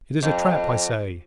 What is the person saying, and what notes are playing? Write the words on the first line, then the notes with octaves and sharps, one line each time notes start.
It is a trap, I say.
F2